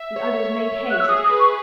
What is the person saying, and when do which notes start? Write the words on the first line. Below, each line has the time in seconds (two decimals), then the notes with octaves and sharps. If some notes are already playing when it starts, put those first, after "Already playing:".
The others made haste.
Already playing: E5
0.16 C#5
0.91 F#6
1.00 E6
1.08 G#4 D#6
1.24 D#6
1.30 B4
1.40 C#6